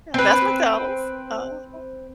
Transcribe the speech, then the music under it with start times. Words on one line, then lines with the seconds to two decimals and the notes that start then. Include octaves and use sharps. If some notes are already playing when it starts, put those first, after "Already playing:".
that's McDonald's, uh-huh.
0.14 C4 B4